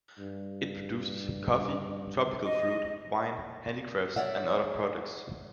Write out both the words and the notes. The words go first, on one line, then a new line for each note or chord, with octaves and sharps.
It produces coffee, tropical fruit, wine, handicrafts, and other products.
G2
D#5
C#5 D5 E5 F#5